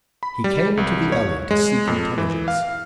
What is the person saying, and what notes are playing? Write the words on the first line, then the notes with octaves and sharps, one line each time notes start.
He came into the alley to seek intelligence.
B5
G3
C2
C#5
G#3
F2
E3
F5